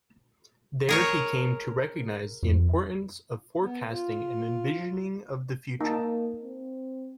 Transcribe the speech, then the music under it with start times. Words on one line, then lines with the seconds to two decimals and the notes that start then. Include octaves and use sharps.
There he came to recognize the importance of forecasting and envisioning of the future.
0.89 G#4 A#4 C#5
2.43 F2
3.61 B3
3.90 F4
5.81 A#3 D#4 A5
6.43 C4